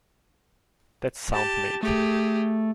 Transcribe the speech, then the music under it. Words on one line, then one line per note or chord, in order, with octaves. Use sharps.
That's sound mate.
G4 A5
A3 G4 G#4